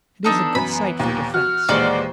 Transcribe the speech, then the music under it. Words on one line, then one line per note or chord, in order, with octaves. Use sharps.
It is a good site for defense.
E3 B3 D4 D#4 A4
F#2 B5
D#2 A#2
F#4 F6
D#2 A#2 E3 G#3 F#4 C5 D5 F#7